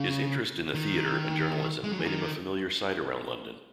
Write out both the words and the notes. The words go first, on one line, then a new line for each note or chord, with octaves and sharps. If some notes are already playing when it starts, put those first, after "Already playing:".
His interest in the theatre and journalism made him a familiar sight around London.
Already playing: C#3
D#3
G#3
F#3
E3
D#3